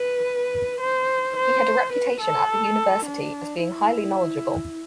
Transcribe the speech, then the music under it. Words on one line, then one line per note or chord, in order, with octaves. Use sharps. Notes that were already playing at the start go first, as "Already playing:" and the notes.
He had a reputation at the University as being highly knowledgeable.
Already playing: B4
C5
C5
B4
A4
D4
E4